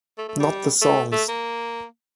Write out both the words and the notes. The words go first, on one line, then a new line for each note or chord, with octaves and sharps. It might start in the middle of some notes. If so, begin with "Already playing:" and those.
Not the songs.
A3
A3
G3
A3
A3
A#3